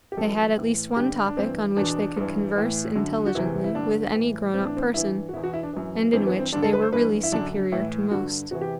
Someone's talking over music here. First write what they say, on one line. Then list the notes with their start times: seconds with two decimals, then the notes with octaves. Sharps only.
They had at least one topic on which they could converse intelligently with any grown-up person, and in which they were really superior to most.
0.12 G4
0.17 F#2 E3 A4
0.57 A2 E3
0.96 G2 D3 G4
1.26 D4
1.37 G2 E3 C4
1.77 E2 B2 D4
2.16 G2 E3
2.55 A2 E3
2.96 F#2 D3
3.26 F#4
3.35 E2 C3 E3 E4
3.64 E4
3.75 G2 D3 D4
4.15 A2 E3
4.54 A2 E3 C4
4.65 D4
4.77 C4
4.94 G2 E3 E4
5.29 F#4
5.33 B2 E4
5.37 E2
5.44 F#4
5.53 E4
5.63 D4
5.73 F#2 E3
6.13 G2 E3 C4
6.26 B3
6.39 C4
6.52 G2 D4
6.56 D3
6.62 A4
6.73 B4
6.82 C5
6.92 G2 E3 B4
7.23 E4
7.32 F#2 D3 D4
7.72 A2 E3 E4
8.11 G2 D3 F#4
8.51 E2 C3 E3 F#4
8.61 G4